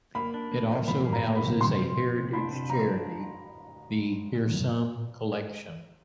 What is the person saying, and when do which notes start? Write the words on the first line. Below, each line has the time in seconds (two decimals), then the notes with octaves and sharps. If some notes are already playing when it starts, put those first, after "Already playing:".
It also houses a heritage charity, The Hearsum Collection.
0.15 A#3 B5
0.34 D4
0.52 A#3
0.69 F3
0.87 F3 B5
1.05 A#3
1.12 A#5
1.24 A#3
1.36 B5
1.43 C3
1.60 C3 C6
1.78 F3
1.97 F3
2.15 C3
2.33 D4 B5
2.51 C3
2.69 F3 A#5
2.88 D4